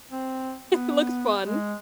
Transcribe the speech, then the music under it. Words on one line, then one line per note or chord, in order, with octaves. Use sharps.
looks fun
C4
B3
G#3